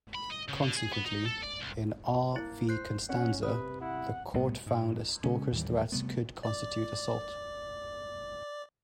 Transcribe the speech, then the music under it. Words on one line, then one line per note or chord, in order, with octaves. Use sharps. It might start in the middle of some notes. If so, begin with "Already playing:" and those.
Consequently, in "R v Constanza", the court found a stalker's threats could constitute assault.
B5
D#5
C#3
D3
G#4
B3
D#4
A4
D5
C2
A#3 E4
C5 F#6 G6 C7
C#4 F#5
C3 B4 D#6
E4 F#5
C2 A2 B3
G#2
C#3 G#3 C#4
D#2 A2 E3 G3
C3 G3 A3 B3
D5 D6